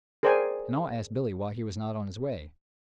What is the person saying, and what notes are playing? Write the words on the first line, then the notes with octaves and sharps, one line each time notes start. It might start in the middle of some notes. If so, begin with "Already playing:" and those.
And all asked Billy why he was not on his way.
G#4 A#4 C5 D5 G5 G#5